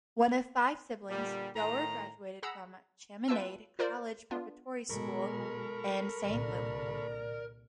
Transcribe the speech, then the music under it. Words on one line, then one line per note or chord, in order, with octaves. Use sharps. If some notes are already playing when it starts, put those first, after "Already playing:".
One of five siblings, Doerr graduated from Chaminade College Preparatory School in Saint Louis.
A#2 D3 G3
A2 D#3 A#5
G#4 F#5 A#5 B5 E6
F4 B4 E5 G5 A5 E6
F4 A#4 C5 D5
B3 D4 F4
B2 F#3 G#3 A4 A#4 B5 C#6
C2 A#2 D3 D5